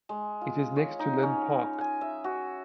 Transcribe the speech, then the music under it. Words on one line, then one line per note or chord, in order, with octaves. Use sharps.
It is next to Linn Park.
G#3
F4
C#5
D#4
C#4
G#5
E5
F#4